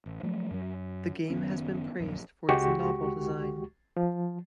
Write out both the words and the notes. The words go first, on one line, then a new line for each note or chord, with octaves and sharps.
The game has been praised for its novel design.
A1
F3 F#3 A3
F#2 F#3
F#1 D#3 B3 C#4
D#1 A#1 F#2
C#2 G#3 F#4 G4 C#6
F3